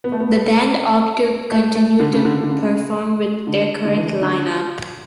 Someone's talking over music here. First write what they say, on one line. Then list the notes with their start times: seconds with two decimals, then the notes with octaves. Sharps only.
The band opted to continue to perform with their current line up.
0.04 B3
0.12 A3
0.20 B3
1.52 A3
1.75 A3
2.00 D3
2.13 C#3
2.25 D3
2.43 D3
2.50 C#3
3.47 D3
3.85 D3
3.97 E3
4.21 D3